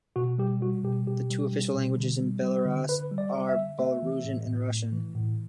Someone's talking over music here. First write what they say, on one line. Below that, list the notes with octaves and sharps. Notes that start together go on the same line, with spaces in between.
The two official languages in Belarus are Belarusian and Russian.
B2 F#4
G3 G4
G3 F#4
B2 G4
B2 G4
G3
G3
B2
D3
G3
G3
D3
D3 B4
G3
D5
G3
E5
D3
A3 E5
E3
A2
A2
A3
E3
A2